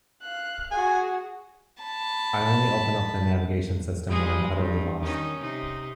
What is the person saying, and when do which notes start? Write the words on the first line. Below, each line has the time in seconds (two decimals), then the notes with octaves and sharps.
I only open up the navigation system when I'm utterly lost.
0.23 F5 F#6
0.71 F#4 G#4 G#5
1.83 A5 B5
4.08 G3 G#3 G#4
4.52 G2
5.01 D#3 C#4 D#4
5.40 C3 D#4